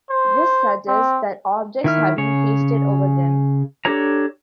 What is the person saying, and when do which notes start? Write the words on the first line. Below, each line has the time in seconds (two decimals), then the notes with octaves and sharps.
This suggests that objects have been "pasted" over them.
0.10 C5
0.88 C4
1.84 D#3 E4 F6
2.18 C#3 C#5
3.85 D4 G4 A4 C#5 A#5